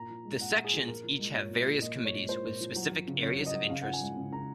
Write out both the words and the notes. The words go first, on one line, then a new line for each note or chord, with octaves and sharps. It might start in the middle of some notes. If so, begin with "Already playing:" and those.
The Sections each have various committees with specific areas of interest.
Already playing: A#2 A#5
F3
G#3
A#2 F#5
A#2
G#4
F3
A#2 A#4
F3
G#3
A#2 C#5
A#2
F3
A#2 D#5
F3
C#5
G#3
A#2 C5
A#2
F3
F#3
F#3
C#3
C#3 C#5
F#3
D#5
F#3
C#3 F5
F#5
F3
G#5
G#3
C#3
C#3 A#5